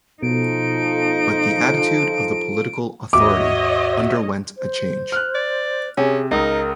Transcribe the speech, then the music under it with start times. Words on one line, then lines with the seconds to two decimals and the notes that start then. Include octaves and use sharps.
But the attitude of the political authority underwent a change.
0.23 B2 F3 D#4 F4 A4 D7
3.13 D#2 G#2 F#4 C#5 D#5 E5 D6
4.57 C5
5.12 F6 F#6
5.35 D5
5.97 C3 C#4 G#4
6.31 C#2 D#4 A#4